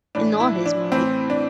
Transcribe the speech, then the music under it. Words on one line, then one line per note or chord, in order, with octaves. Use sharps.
In all his movie,
A2 E3 D4
E4
D4
A2 E3 C4
D4